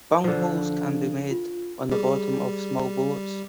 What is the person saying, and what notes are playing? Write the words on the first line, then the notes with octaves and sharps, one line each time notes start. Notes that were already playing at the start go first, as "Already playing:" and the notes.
Bungholes can be made on the bottom of small boats.
D3 F3
F4
G3 G#4